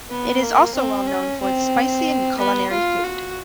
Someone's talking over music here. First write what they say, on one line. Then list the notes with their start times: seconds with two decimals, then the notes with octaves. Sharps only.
It is also well known for its spicy and culinary food.
0.10 B3
0.42 A#3
0.75 C4
1.07 C#4
1.40 C4
2.38 B3
2.71 F4
3.03 F#4